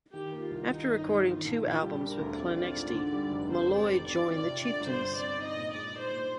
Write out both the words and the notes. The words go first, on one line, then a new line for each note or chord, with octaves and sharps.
After recording two albums with Planxty, Molloy joined The Chieftains.
D#3 G4
A#3
F4
C2
D#3 D#4
G1
G1
D#3 F4
A#1
F4
A#1
G3 G4
D4
A#4
D2
C4 D5
F4
G#2
D3
G3
F1
C4 C5
G4
D5
G#2
C4 D5
F4
D5
C3
D3 D5
G1
C5
G1
C4 D5
D#4
D#5
A#2
G#3 D5
D#4
C5
A#2